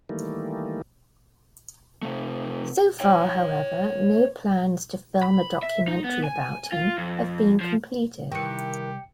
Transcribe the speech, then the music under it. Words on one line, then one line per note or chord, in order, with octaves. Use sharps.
So far, however, no plans to film a documentary about him have been completed.
D#3 E3 G3 A3 A#3
C3 A3
C#5 G5
B5
E5
D#4
B3
G#5
F4
F2
F3
C3 D#3 E3 G3 G4 G5 C#7